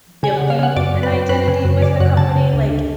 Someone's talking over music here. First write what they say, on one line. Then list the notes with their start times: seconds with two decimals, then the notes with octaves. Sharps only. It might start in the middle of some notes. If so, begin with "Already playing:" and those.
building an identity with the company like
0.23 C#3 G#5
0.37 C#3 F#5
0.50 F5
0.59 C#3 F#5
0.76 F#2 D5
0.94 F#2
1.03 B4
1.12 F#2
1.29 F#2 B4
1.48 C#3
1.65 F#2
1.82 C#3 D5
2.00 F#2 F#5
2.17 C#3 A5
2.36 C#3
2.53 D2
2.71 D2